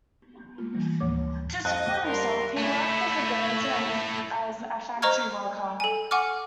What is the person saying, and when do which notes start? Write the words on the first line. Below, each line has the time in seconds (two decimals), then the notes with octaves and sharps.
To support himself, he worked as a dancer and as a factory worker.
0.58 G#3 A#3 F4
0.73 E3 G3 A#3
1.00 D2 A2 F3 A#3 C#5 D6
1.65 F2 D#5 F#6
2.06 A#2 G3 A#4 B5 C6
2.58 A3 E4
5.02 C5 D#5 A#5 C#6 F6 G#6
5.80 A4 G#5
6.11 F#5 G#5 C#6 D6 F6